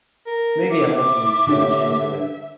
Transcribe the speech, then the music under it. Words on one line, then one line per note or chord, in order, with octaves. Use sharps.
Maybe I'm looking too much into it.
A#4
E5 D6
D3 G4 C#5